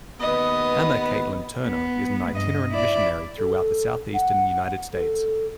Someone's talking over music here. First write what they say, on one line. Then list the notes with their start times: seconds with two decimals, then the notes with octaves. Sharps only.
Amma Caitlin Turner is an itinerant missionary throughout the southeastern United States.
0.20 D#2 B3 B4 D#5
1.66 B3
2.32 G2 D#5
2.72 E4 D5
3.38 A4
4.14 F#5
4.93 A4